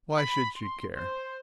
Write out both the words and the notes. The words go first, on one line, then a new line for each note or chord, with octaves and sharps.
Why should she care?
B5
C6
C5